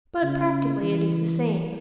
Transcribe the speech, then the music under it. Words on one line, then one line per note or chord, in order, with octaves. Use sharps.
But practically it is the same.
C#3
E3